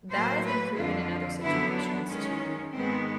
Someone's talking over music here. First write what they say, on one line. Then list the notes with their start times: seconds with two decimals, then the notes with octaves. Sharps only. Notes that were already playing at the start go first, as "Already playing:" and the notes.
that has been proven in other situations to
0.11 A2 F#3 A#3 C5
0.44 B4
0.77 F2 D3 F3 F4
1.42 F#2 D3 F#3 B3 E4
1.75 D4
2.08 F#2 D#3 G#3 C#4
2.74 G#2 D#3 G#3 B3 C4